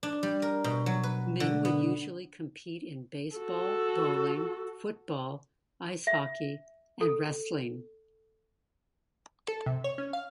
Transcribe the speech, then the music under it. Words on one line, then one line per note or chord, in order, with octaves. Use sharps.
Men would usually compete in baseball, bowling, football, ice hockey, and wrestling.
D4
G3
A#4
B2
F#3
B4
D3
B3
F#4 A4
E5
A4
A4
C3
C#5
C#4
F5